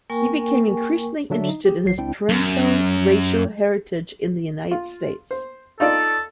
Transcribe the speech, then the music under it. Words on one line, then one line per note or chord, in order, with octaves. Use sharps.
He became increasingly interested in his paternal racial heritage in the United States.
A#3 A#4 G5 G#5 C#6
D3 F#3 D4 E5
D#4
G4 G#4
A1 F#3 C7
C#2 C4 D4 E4 G5
F#2
F4
C5
D#4 F4 A4 D5